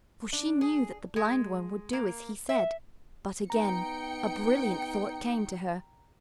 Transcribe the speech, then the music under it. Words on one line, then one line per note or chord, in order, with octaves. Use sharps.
For she knew that the Blindworm would do as he said. But again a brilliant thought came to her.
D4
G#4
G#3
A#3
E5
B3 D#4 G5 A#5 C#7